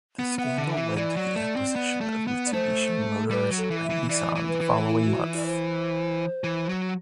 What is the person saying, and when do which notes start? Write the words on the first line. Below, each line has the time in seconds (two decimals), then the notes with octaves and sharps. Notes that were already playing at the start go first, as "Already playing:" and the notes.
The scandal led to the acquisition of Mitsubishi Motors by Nissan the following month.
0.19 B3
0.39 B3 F#5
0.45 E5
0.58 D3
0.71 E5
0.77 E3
0.90 C5
0.97 E3 D5
1.16 F#3
1.36 A3
1.56 C4
1.76 B3
2.01 A3
2.27 B3
2.46 D5
2.53 A3 C5
3.21 A4
3.31 G3 B4
3.51 F#3
3.58 A4
3.71 E3
3.83 E5
3.90 E3
4.09 E3 D5
4.35 E3
4.48 B4
4.61 E3
4.87 E4
5.02 E4
5.07 F#4
5.26 E4
5.36 D5
5.46 C5
6.44 E3
6.69 F#3